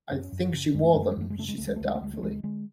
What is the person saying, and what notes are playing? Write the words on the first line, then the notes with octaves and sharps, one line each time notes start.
"I think she wore them," she said doubtfully.
F#2 C#4
F#2
C#3
F#2 G#3
A3
F#2 G#3
A3
G#3
F#2 A3
G#3
C#3 A3
G#3
D2 A3
G#3
A3
D2 G#3
A3
D2 G#3
A3
D2 G#3
D3 G#3